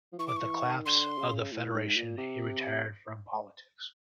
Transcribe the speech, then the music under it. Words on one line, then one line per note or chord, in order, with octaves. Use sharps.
With the collapse of the Federation he retired from politics.
F3
E3 C#6
D6
C#6
E3
D#3
D3 C6
C#3
A2
G#2
A#2
C3